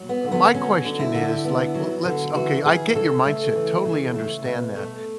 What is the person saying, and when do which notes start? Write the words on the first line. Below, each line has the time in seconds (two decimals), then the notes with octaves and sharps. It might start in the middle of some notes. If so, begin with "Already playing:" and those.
m my question is, like, l let's okay, I get your mindset, totally understand that,
Already playing: F#3
0.09 B3
0.24 D3
0.32 B3
0.54 F#3 C#4
0.84 D3
1.00 E4
1.14 D3
1.45 B3
1.75 F#3
2.05 D3
2.34 E3 F#4
2.65 C#3 G#4
2.95 C#3 A4
3.25 A3
3.55 E3
3.85 C#3
4.15 A3
4.45 B2
4.76 A3